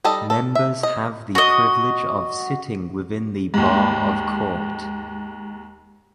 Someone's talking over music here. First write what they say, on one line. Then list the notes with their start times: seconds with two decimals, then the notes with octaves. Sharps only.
Members have the privilege of sitting within the bar of court.
0.04 G3 D#4 A4 D#5
0.30 A4
0.55 E5
0.83 D#5
1.35 F#4 D#5
3.54 D#2 G#2